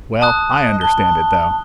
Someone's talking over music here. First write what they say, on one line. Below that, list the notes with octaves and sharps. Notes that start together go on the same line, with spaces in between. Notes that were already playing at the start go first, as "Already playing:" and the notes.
Well, I understand it, though.
A5 D#6 F#6
D#5
A5 G7